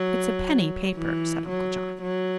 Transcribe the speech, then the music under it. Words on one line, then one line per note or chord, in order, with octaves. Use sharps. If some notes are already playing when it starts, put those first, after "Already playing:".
"It's a penny paper," said Uncle John.
Already playing: F#3
E3
F#3
F#3